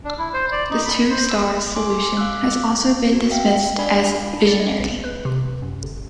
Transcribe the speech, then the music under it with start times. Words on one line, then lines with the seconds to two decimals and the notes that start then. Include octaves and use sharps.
The "Two Stars" solution has also been dismissed as visionary.
0.05 D4
0.18 E4
0.34 C5
0.52 D5
0.71 D#4
0.85 B5
1.10 C5
1.29 E6
1.75 G#5 C6 D6
2.17 F5 D6 E6 F#6
3.13 F#4
3.30 E5 F5 G5
3.79 D4 D5 F5 G#5 B5
4.33 D4
4.47 D5
4.60 G#3
4.80 B1
5.04 B4
5.25 C3
5.62 F#2
5.83 G1